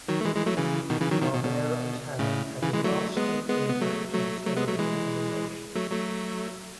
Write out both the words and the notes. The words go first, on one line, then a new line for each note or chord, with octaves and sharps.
Barbera and Hanna had a lasting impact on television animation.
D#3 F#3
A3
E3 G#3
E3 G#3
F#3 A3
C#3 E3
B2 D#3
C#3 E3
D#3 F#3
B2 D#3
B2
B2
A2 C#3
C#3 E3
E3 G#3
F#3 A3
G#3 B3
G#3 B3
B3
F#3 A3
F#3 A3
F#3 A3
G#3 B3
F#3 A3
E3 G#3
F#3 A3
F#3 A3